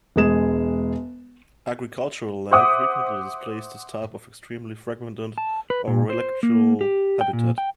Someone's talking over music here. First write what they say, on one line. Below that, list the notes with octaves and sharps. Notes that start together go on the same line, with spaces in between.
Agricultural land frequently displays this type of extremely fragmented, or relictual, habitat.
E1 G#3 G#4 E7
C5 E5 F#5 D6 D#6
A5
B4
A#2
C5
A#3
G4
G5
A#2
G5